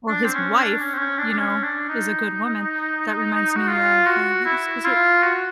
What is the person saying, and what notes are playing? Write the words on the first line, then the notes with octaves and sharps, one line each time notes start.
Or his wife, you know, is a good woman. That reminds me of, uh, what is is it?
D4
C4
C#4
D4
C#4
C4
C#4
D4
D4
C#4
D4
D#4
F#4
F4
F#4
E4
F4
F#4